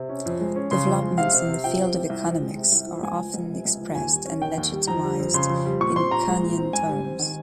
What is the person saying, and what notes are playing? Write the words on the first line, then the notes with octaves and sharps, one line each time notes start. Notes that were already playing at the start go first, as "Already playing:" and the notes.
Developments in the field of economics are often expressed and legitimized in Kuhnian terms.
Already playing: C3
C#4
F2
G#3
C#4
C#3 C6
F2
G#3
C3 F5
C4
C3
F3 G5
C3
C4
C2
F3
G#3
C3
C2
F3
C#2 G#5
F3
C#2
C3
C#2
F3
D#2 G#5
G3
C#4
D#3 G5
D#2
G3
F2 A#5
G3
F2
C#3 C6
F2
G3
A#2 C#6
C4 C6
A#2 A#5
G#3
A#2
C4
G#2 G#5
G3
C4
D#3